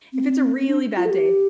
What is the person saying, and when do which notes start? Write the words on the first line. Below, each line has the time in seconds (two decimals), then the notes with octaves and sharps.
If it's a really bad day
0.13 C4
0.58 C4
0.69 D4
0.97 F4
1.05 A4
1.10 G4